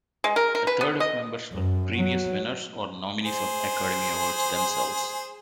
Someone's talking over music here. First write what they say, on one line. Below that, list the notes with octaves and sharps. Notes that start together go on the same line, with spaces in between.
A third of members were previous winners or nominees of Academy Awards themselves.
G#3
A#4
A#4
B4
B3
D#5
F#2
F#3
G#4 C5